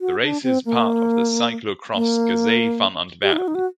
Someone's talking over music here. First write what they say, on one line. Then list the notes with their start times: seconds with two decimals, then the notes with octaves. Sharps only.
The race is part of the Cyclo-cross Gazet van Antwerpen.
0.01 F#4
0.23 D4
0.43 C4
0.65 A#3
1.94 A#3
3.23 G4
3.33 D#4
3.38 F#4
3.48 D#4
3.55 F#4